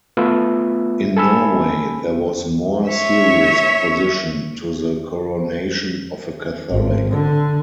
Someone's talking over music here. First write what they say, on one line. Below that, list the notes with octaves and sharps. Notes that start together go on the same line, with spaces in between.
In Norway, there was more serious opposition to the coronation of a Catholic.
A3 B3 F4 B4 E5
A4 G#5 B5 E6
C#5 E5
G#1
D3